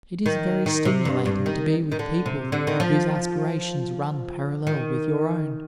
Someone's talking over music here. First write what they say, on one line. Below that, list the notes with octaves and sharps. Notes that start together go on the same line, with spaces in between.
It is very stimulating to be with people whose aspirations run parallel with your own.
D#3
D#3
C3
G2
G2
D#3
D#3
D3
C3
D3
D#3
F3
D#3